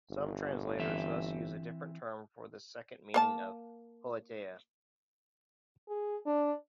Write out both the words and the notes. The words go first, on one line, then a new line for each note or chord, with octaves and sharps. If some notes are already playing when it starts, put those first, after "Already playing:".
Some translators thus use a different term for this second meaning of "politeia".
G1
E3 C4 E5
A#3 C#5 A5
G#4
D4